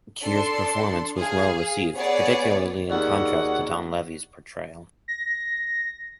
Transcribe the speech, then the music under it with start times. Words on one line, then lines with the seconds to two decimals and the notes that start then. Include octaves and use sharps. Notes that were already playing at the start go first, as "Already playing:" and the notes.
Keir's performance was well-received, particularly in contrast to Donlevy's portrayal.
0.21 D4 A4 C6
1.17 G#4 F5
1.94 B3 G#4 C#5 D5 F#5
2.89 D#2 G#3 F#4 D5 F#5
5.08 A#6